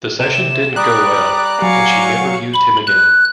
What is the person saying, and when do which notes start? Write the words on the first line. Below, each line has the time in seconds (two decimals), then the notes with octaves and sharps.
The session didn't go well and she never used him again.
0.20 C3 E7
0.76 G3 D5 A#5 D#6 F#6
1.62 F#3 F5 G#5 C#6
2.53 B5
2.87 F#6